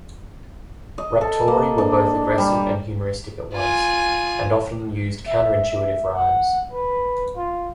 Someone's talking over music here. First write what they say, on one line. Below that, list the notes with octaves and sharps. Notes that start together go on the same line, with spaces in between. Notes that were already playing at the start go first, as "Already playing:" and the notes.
Raptori were both aggressive and humoristic at once, and often used counter-intuitive rhymes.
D#5
A4
A#3
D4
G3
F4 G#5
E5
E5
F#5
B4
F4